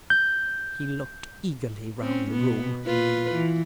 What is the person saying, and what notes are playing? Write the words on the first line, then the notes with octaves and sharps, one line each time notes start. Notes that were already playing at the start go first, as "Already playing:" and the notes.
He looked eagerly round the room.
G6
C4 C#4
B2 B3
A#2 F4 B4
E3